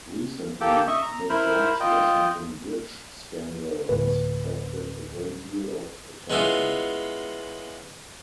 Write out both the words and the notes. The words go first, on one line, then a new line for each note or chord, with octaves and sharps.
Recently, the George Washington Bridge scandal has attracted a great deal of attention.
A#3 G4 A4 G5
D#5 E5 C#6
A#5
E4 A#4 C5 B5
F4 D#5 G5
D2 A2 B4
G#3 B3 C#4 E4 F4